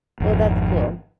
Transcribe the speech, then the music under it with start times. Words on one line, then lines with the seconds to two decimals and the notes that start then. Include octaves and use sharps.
Well, that's cool.
0.20 G#1 F2